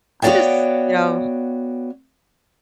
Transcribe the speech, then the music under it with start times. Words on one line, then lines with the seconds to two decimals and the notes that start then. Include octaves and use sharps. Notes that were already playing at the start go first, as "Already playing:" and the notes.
I'm just, you know,
0.22 B3 F#4 C#5 D5 F5 G5